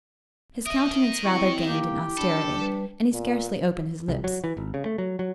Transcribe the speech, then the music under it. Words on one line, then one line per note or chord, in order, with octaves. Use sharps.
His countenance rather gained in austerity; and he scarcely opened his lips.
A#4 D#5 E5 D#6
C4 E4 C#6
A#3 G4
D4 A4 A5 B5
G3 B4
A#2
C2
F#3
E3
G#1
C#3
A3
F#3
F#3